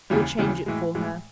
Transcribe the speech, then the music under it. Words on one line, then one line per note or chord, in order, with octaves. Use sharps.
He'll change it for her.'
D#2 C#3 E3 G3
D#2 C#3 E3 G3
A2 E3 G#3
A2 E3 G#3